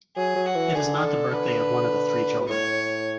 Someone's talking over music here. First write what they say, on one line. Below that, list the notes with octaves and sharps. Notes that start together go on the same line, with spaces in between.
It is not the birthday of one of the three children.
F#3 G#4
F#3
F#4
E3
D3 G#4
A4
D3 B4
B2
A2 C#5